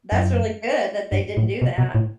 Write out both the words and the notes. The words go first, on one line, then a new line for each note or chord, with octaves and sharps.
That's really good that they didn't do that.
F#2
G2
A2
B2
B2
A2